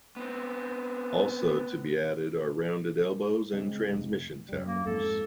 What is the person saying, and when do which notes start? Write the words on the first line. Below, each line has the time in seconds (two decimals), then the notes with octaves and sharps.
Also to be added are rounded elbows and transmission towers.
0.16 B3 C4
3.53 C#3 G#3 C4
3.93 F1
4.49 F#2 G3
4.67 A#3
4.86 F2 G#2 A4